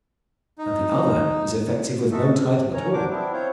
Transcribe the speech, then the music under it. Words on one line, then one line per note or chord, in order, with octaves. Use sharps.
And the other is effective with no title at all.
D#4
G#3 D#4 F#4 A4 E5
E3
C#4 C#5 A#5
F#3 D4 A#4 C5 D6
B3 C4 D4 E4
C4 F4 C5 C#5